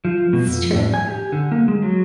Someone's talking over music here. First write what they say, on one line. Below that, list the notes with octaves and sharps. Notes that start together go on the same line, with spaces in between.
it's true.
F3
B2
F2
A2
G#5
G4
D3
A#3
G#3
F#3